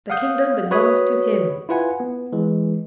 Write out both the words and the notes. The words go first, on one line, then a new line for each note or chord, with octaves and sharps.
"The kingdom belongs to him."
F5 F#5 D#6 G6
F#4 B4 C#5 B5 D#6
E4 F4 B4 F#5 G#5
B3
E3 G#3